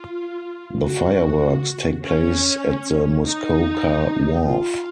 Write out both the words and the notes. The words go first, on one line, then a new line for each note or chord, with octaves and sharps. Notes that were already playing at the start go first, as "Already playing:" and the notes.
The fireworks take place at the Muskoka Wharf.
Already playing: F4
F#4
C#4
D#4
F4